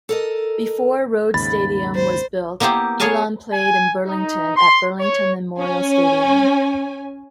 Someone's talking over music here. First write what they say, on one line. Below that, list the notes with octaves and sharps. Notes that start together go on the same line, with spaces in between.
Before Rhodes Stadium was built Elon played in Burlington at Burlington Memorial Stadium.
A4 A#4 D#5
D#2 G#2 C#3 B5 A6
C5
A#3 B3 E4 G4 C5
G#4 C#5 F5 G#5 A5
G#5
D#4
C6
C#5
C#4 G#5